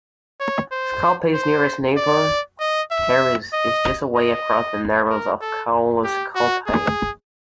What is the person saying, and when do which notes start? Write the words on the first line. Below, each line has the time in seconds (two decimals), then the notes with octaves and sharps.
Scalpay's nearest neighbour, Harris, is just away across the narrows of Caolas Scalpaigh.
0.40 C#5
0.72 C5
1.34 C5
1.97 D5
2.60 D#5
2.91 E5
3.53 D#5
4.16 D#5
5.10 A#4
5.41 A4
6.04 G4
6.35 F#4
6.67 G#4